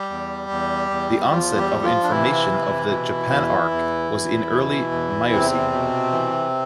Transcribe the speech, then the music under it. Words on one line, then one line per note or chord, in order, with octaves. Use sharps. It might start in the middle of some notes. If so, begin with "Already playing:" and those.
The onset of formation of the Japan Arc was in Early Miocene.
Already playing: G3 G4
E2
E2
E2
E2 F3 F4
G3 G4
F3
F3 F4
D4
C3 E3 E4
C3
B2
E2
E2
E2
B2
E2
E2 C3 C4
B2
E3